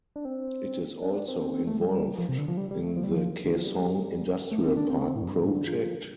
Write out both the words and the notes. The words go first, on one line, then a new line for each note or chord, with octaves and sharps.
It is also involved in the Kaesong Industrial Park project.
D4
C4
D4
C4
D4
C4
C4
C4
A3
G3
F3
C3
D3
F3
G3
G3
A3
F3
G3
F3
D3
F3
G3
A3
C4
D4
C4
C4
A2
F2
G2
A2
D3
F3